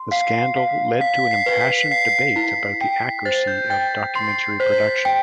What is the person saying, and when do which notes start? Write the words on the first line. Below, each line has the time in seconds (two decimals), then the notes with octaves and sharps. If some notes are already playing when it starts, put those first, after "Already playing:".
The scandal led to an impassioned debate about the accuracy of documentary production.
Already playing: C6
0.11 F5 C7
0.56 F5
1.01 F5 B6
1.31 C7
1.46 B4
1.61 B6
1.91 F5 C7
2.36 E4
2.81 G5 B6
3.25 C5 A6
3.47 G6
3.70 G5 A6
4.15 C6 C7
4.60 C5 B6
5.05 G5